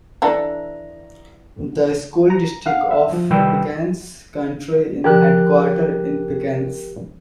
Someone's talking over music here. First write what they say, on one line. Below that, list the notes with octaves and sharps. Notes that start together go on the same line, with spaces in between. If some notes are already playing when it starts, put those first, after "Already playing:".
The School District of Pickens County is headquartered in Pickens.
E3 D4 A4 A#5
A#5
F5 F#5
E5
F3
C2 D#3 G3 B4 G5 E6
D3 F3 G4 A#4 F#6